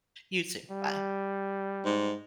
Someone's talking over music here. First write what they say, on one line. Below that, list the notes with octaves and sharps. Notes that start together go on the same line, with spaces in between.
You too. Bye.
G3
G#2